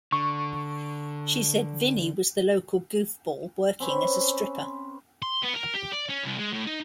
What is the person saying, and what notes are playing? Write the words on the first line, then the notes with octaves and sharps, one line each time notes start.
She said Vinnie was the local goofball working as a stripper.
D3 C#6
C4 C#4 B4
C6
B3
A#4
G4
D5
C#4
C2
G#3
A2
D#4